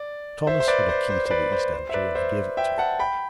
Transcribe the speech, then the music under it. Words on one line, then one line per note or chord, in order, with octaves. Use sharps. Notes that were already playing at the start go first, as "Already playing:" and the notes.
Thomas had a key to the east entry, and gave it to her.
Already playing: D5
C5 E5
C5
B4 D5
C5
C5
C5
B4 D5
C5
C5
E5
B4 D5
C5 E5
E5 G5
F#5 A5
G5 B5